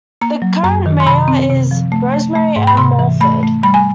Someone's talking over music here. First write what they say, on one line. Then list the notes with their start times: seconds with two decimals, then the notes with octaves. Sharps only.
The current Mayor is Rosemarie M. Wolford.
0.21 A#3 A#5
0.42 F#3
0.63 F#2 A#5
0.86 D#3
1.00 C6
1.06 C3 B5
1.28 C4
1.50 C3
1.71 F3
1.92 A3
2.14 A3
2.35 A3
2.56 G#2
2.67 B5
2.77 C3 C6
2.99 E3
3.21 A3 B5
3.43 A3
3.63 G3 B5
3.74 G#5